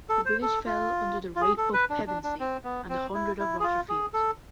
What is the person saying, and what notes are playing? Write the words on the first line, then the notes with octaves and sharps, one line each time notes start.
The village fell under the Rape of Pevensey and the hundred of Rotherfield.
A4
C5
A4
F4
F4
G#4
A4
B4
D4
D4
D4
C4
B3
C4
E4
E4
G#4
F4
G#4
A4